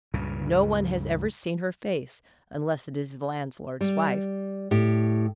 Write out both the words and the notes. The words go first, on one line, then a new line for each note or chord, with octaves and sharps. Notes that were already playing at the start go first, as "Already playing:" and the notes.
No one has ever seen her face; unless it is the landlord's wife.
C#2 G2 A#2 C#3
G3
A2 G4